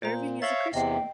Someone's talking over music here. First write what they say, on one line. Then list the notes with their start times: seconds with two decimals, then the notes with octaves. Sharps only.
Erving is a Christian.
0.03 A#2 C5 A#5
0.42 C#5 E5 F5 A6 F#7 G7
0.74 E2 C3 D#5 G5 C7